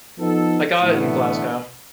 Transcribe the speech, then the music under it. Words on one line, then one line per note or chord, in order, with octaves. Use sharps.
I got it in Glasgow.
F3 B3 D#4 A4
A2 D3 E3 A3 B3